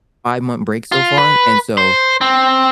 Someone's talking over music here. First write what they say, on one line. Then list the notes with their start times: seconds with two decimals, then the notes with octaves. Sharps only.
five-month break so far, and so
0.92 F4
1.18 B4
1.77 C5
2.21 C4